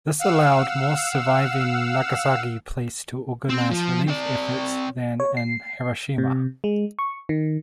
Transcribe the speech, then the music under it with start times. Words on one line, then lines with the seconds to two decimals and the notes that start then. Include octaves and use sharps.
This allowed more surviving Nagasaki police to organize relief efforts than in Hiroshima.
0.19 F5 F#5 E6
3.49 C4
3.70 F3
4.07 C4 D5
5.20 C#5
5.37 C7
6.18 C3
6.64 G#3
6.99 C#6
7.29 D#3